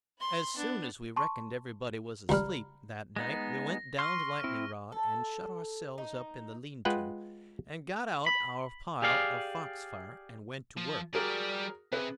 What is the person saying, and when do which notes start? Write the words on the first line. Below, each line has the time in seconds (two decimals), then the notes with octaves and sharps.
AS soon as we reckoned everybody was asleep that night we went down the lightning-rod, and shut ourselves up in the lean-to, and got out our pile of fox-fire, and went to work.
0.19 B5 C6
0.55 B3 D4
1.16 A5 C6 C#6
2.29 C#2 G3 A#5 B5 F6
3.16 G#3 B3 D#4 A#6
3.99 C6 C#6 F6
4.44 C4 E4
4.92 A4
5.98 D#4
6.85 G#3 F4 B4 F#5 G5
8.26 B5
9.02 G4 G#4 D5 F5
10.77 F3
11.13 G3 F#4 G#4 A#4 D5
11.93 C3 G#4 B4